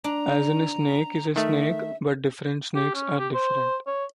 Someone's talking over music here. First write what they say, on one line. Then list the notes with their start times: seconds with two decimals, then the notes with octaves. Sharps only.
As in a snake is a snake, but different snakes are different.
0.04 D4 A#5
1.36 D#3 A3 E5
2.75 G4
2.95 C#4
3.19 G4
3.34 C5
3.87 C#5